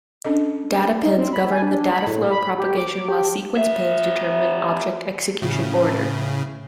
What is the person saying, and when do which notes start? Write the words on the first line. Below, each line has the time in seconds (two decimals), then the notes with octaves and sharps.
Data pins govern the data flow propagation while sequence pins determine object execution order.
0.24 C#4 D4 A4 D#5
1.03 D#4
1.18 C4
1.33 B5
1.51 G#5
1.62 D4
1.91 B5
2.07 A2
2.30 B5
2.58 G4
2.77 D6
3.08 G4
3.57 F2 E5
5.42 A2 C#3